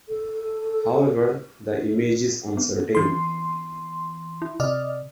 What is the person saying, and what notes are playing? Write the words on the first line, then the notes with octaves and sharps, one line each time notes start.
However, the image is uncertain.
A4
B3
E3 C6
E4
C3 D5 D#5 F6